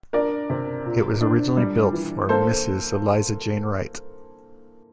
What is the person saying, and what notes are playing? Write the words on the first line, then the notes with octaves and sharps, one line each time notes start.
It was originally built for Mrs Eliza Jane Wright.
D4 A#4 D5
C3
A#2
D4
G3
E3
A#3 A4 C5